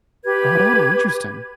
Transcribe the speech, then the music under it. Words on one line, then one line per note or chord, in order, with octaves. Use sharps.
Oh, interesting.
G4 B4 G#6